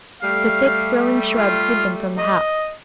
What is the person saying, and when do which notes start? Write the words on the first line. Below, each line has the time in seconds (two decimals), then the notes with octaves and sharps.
The thick growing shrubs hid them from the house.
0.22 G3 A3 F5
1.37 F4
2.18 D#5